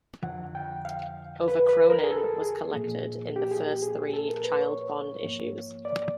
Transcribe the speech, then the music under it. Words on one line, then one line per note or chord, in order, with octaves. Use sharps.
Over kronen was collected in the first three "child bond" issues.
F2 D3 F3 F#5
G5
F5
B4
B4
A#4
G#4
A4
G#4
A#2 F3 A#3
G4
G#4
G4
G#4
G#4
A4
A#4
B4
C#5
G#2 F3 A#3
D5